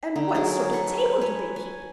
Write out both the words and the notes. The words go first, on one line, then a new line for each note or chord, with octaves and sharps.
And what sort of table do they keep?
D3 D#4
F#3 D#4 G#4 A#4
A4 B4 C#6
B4 C#5 G#5
G#5